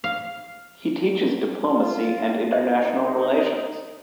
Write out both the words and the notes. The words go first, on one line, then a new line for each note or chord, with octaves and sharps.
He teaches diplomacy and international relations.
F5
F4
D#4 C5 D#5 E5